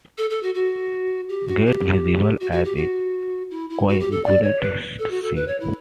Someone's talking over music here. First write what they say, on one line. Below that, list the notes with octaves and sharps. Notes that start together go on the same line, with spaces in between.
Gets visible as it coagulates, I see.
A4
A4
F#4
F#4
G4
F#4
G4
F#4
F#4
G4
F#4
E4
E4
F#4
G4
A4
D5
C#5
B4
A4
F#4
A4
B4
C#5
E4